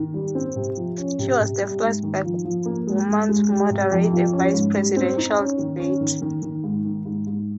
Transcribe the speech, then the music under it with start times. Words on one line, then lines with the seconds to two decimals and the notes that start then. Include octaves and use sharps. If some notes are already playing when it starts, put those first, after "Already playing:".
She was the first black woman to moderate a vice-presidential debate.
Already playing: D#3
0.14 G3
0.35 C4
0.56 C3
0.77 F3
0.98 C#4
1.19 C3
1.41 C3
1.62 G3
1.82 G#2
2.03 D#3
2.24 F3
2.45 F3
2.66 A#3
2.87 G#3
3.08 G#3
3.29 G#3
3.50 G3
3.70 C3
3.92 F2
4.13 F3
4.33 C#4
4.54 G#2
4.75 G3
4.96 C4
5.17 D#4
5.38 C#4
5.59 D#3
5.80 C#4
6.01 D#3
6.22 D#3
6.42 D#3
6.64 G#2
6.85 D#3
7.05 G#2
7.27 G#2